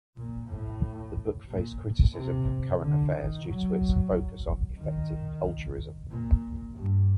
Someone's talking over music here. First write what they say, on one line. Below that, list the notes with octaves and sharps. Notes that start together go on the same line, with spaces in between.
The book faced criticism from "Current Affairs" due to its focus on effective altruism.
A#2
A2
A#2
C3
D3
D#3
F#3
D#3
A#2
G2